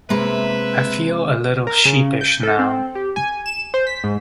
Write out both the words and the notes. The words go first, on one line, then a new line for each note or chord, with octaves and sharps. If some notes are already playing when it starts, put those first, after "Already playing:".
I feel a little sheepish now.
C3 G#3 A#3 B4 E5
A#4
C#3
G6
A4
C4
G4
G#5
E7
C5
B6
G#2